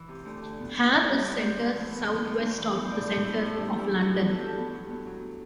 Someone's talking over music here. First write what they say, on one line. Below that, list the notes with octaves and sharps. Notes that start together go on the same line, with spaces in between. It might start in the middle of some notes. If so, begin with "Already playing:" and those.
Ham is centred south-west of the centre of London.
Already playing: E3
C3
D2
D3
B3
D2
B3 D5
G3 C5
D2 D5
G3 C5
D2
E3
B3
B3
D2
D2
E3
B3
C5
A2 D5
A2 C5
A2 E4
A2 E4
G3 D4 E4
G3
E4
G3
F#4
A2
B3 B4
A4
G2 G4
A4
B3
F#3
B3
F#3